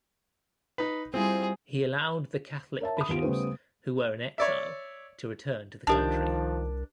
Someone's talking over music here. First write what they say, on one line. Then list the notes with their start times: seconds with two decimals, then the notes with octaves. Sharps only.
He allowed the Catholic bishops, who were in exile, to return to the country.
0.78 D#4 B4
1.14 G3 C4 E4 F4 G#4 C5
2.80 A#4 C#5 E5 A5
2.97 B5 D#6
3.09 D#2 B3 F4 G4 D7
3.22 C#3 G3 A3 B3 B4 C5
4.38 C#5 D5 E5
5.87 C2 D#3 F3 D4 G4 A#4 A5 G6